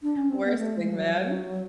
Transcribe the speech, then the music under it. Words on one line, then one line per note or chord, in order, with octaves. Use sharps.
worst wingman,
D4
C#4
C4
B3
A3
G#3
F#3
F#3